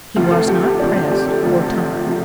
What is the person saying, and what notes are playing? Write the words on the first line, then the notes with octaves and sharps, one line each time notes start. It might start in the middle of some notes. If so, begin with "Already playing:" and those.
He was not pressed for time.
D2 C3 F3 F4
A4
G4
G4
D2 C3 F3 D4
C4
G4
A4
D2 C3 F3
C3 F3